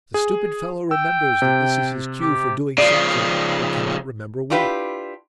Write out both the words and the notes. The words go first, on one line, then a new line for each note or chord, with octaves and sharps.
The stupid fellow remembers that this is his cue for doing something, but cannot remember what.
G#4
G5 E6
C3
G4
C#3 F3 D5
D4 E4 F4 G4 A#4 B4